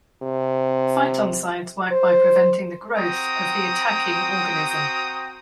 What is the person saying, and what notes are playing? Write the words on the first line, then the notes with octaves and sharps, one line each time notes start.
Phytoncides work by preventing the growth of the attacking organism.
C3
C5
C4 F#4 G5 A#5 D#6